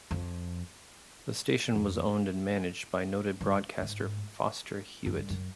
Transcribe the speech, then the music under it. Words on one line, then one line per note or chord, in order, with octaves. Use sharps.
The station was owned and managed by noted broadcaster Foster Hewitt.
F2
F2
G2
G#2
F#2
G2
F#2